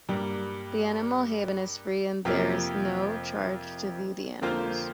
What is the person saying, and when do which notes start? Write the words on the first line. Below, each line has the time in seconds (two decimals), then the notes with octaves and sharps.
The animal haven is free and there is no charge to view the animals.
0.09 G2 G3 A#3
2.25 F2 C3 F3 A#3 F4
4.42 F2 D3 A#3 F4 C5